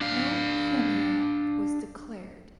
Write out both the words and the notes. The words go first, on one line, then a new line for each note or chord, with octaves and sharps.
No Premier was declared.
D4 F5